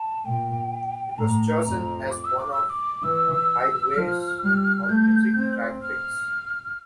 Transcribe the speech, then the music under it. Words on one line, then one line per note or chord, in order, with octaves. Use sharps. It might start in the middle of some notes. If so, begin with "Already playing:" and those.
It was chosen as one of "By the Way"'s "Allmusic Track Picks".
Already playing: A5
A#2 G5
A2 A#5
F2
D6
E6
D6
E6
E6
D6
E3 E6
F3 F6
G3
A3 G6
C4
F6